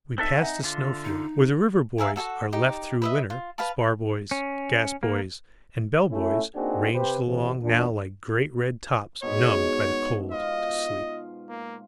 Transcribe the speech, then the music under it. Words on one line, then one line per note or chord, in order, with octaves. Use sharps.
We passed a snow-field, where the river-buoys are left through winter, spar-buoys, gas-buoys, and bell-buoys ranged along now like great red tops numbed by the cold to sleep.
C4 D#4 A4 E5 A5 F#6
D#4 E5 F#5 G#5
D3 F4
D#4
G#4 A#4 E5 F5
F#4 G#4 A4 F#5
D#4 G4
B4 D#5 E5
F4
B4 F5 A5
C#4
A#3
A3 C#4 E4
A#3 C4 D4 D#4 F#4 G#4
C3 C4 G4 B4 C5
A1 C3
E2 A#2 D4
G#2 B2 C#5
F4 D#5
A#3